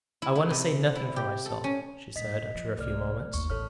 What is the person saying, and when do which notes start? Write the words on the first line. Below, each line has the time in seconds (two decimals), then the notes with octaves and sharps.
'I want to say nothing for myself,' she said, after a few moments.
0.22 E4
0.35 E4
0.50 C3
0.95 E4
1.16 G4
1.46 A4
1.64 C#4
2.16 G2 A#2 D#5 B6
2.54 F3
2.78 C2 A3 D5 F6
3.34 G1 D#2 C#6
3.50 A1 A4 C#5 F6